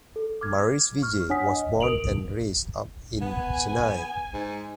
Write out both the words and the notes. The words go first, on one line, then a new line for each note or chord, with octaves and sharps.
Maris Vijay was born and raised up in Chennai.
A4
D6 F6 G#6
C#6 F6
D4 C#5 F#5 G#5 D#6 B6
D#5
A#4 D#6 D7 F7 F#7
B3 G#5
G#2